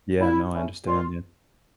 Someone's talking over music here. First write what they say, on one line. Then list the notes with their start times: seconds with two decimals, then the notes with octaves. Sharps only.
Yeah, no, I understand, yeah.
0.19 A#2 E4
0.52 A3 C#4 E4
0.85 A#2 F4